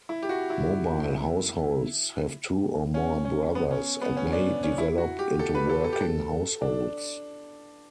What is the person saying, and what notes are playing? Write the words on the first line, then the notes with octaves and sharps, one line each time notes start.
Mobile Households have two or more Brothers, and may develop into Working Households.
E4
G4
F#4
E4
C#4
C#4
B3
C#4
B3
C#4
D4
C#4
E4
F#4
G4
A4
B4
A4
A4
G4
A4
D4